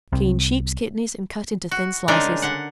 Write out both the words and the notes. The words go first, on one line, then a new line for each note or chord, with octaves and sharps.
Clean sheep's kidneys and cut into thin slices.
C2 C3
F#4
C#3 G3 G#3 D4 D#4 A#4
D3 F#5